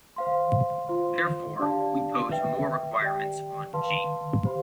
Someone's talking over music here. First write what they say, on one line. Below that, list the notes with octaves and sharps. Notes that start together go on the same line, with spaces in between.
Therefore, we pose more requirements on "G".
C5 F5 C6
F4 C5 F5 C6
D4 G4 D5 F5 A5
B4 E5 G5
G4 D5 G5
B4 F5 A5 C6
G4 C5 F5 B5